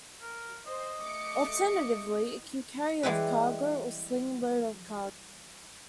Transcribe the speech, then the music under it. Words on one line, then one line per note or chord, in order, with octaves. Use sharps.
Alternatively, it can carry of cargo or sling load of cargo.
A#4
C5 D#5
A3 D6 C#7
E3 G3 G#3 E4 B4